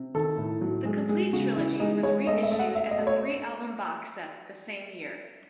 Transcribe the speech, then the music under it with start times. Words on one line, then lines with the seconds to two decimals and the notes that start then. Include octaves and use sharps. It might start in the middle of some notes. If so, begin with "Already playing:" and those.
The complete trilogy was reissued as a three album box set the same year.
Already playing: C3
0.14 D#3 A4
0.38 A2
0.61 F#3
0.85 G#3
1.09 G#3
1.33 C#3 F#4
1.56 E3 E4
1.80 G#3 D#4
2.03 G#3 C#5
2.27 A3 D#5
2.43 E5
2.51 A3
2.59 F#5
2.75 A3 E5
2.91 D#5
2.98 A3
3.07 C#5